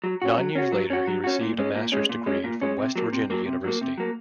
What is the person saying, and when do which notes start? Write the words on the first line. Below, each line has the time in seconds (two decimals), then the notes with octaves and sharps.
Nine years later he received a master's degree from West Virginia University.
0.04 F#3
0.22 C#4 F#4
0.38 F#3
0.55 C#4 F#4
0.72 F#3
0.90 C#4 F#4
1.07 F#3
1.24 C#4 F#4
1.41 A#2
1.58 G#3 C#4
1.75 A#2
1.92 G#3 C#4
2.09 A#2
2.26 G#3 C#4
2.44 A#2
2.62 G#3 C#4
2.79 C3
2.96 F#3 A#3
3.13 C3
3.30 F#3 A#3
3.46 C3
3.64 F#3 A#3
3.81 C3
3.98 F#3 A#3